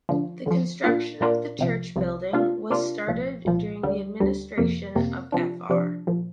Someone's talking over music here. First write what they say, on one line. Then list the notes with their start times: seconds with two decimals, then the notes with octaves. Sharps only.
The construction of the church building was started during the administration of Fr.
0.09 D2 D3 F3
0.46 D2 D3 F3
0.84 A#2 A#3 D4 F4
1.21 A#2 A#3 D4 F4
1.59 C2 C3 F3
1.96 C2 C3 F3
2.33 C3 A#3 D4 F4
2.70 C3 A#3 D4 F4
3.08 C2 A#2 F3
3.45 C2 A#2 F3
3.83 D2 D3 G3
4.20 D2 D3 G3
4.58 F2 C3 A#3
4.95 F2 C3 A#3
5.32 C3 F3 D4
5.69 C3 F3 D4
6.07 A#2 F3